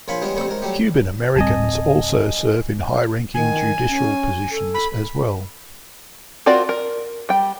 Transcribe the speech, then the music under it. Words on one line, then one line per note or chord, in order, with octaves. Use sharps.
Cuban-Americans also serve in high-ranking judicial positions as well.
A#1 F4 C#5 G#5 B5 C6
E3 G3 G#3 B3 C#4
A1 G3 A3 C4 C#6
G#2 A#4
F#3 G3 A3 G4
D1 G3 C4 D#5 G#5 A5
D#3 G#5
C#4
A4
B5
C4 F4 F#4 A#4 D5
A#4
G3 G5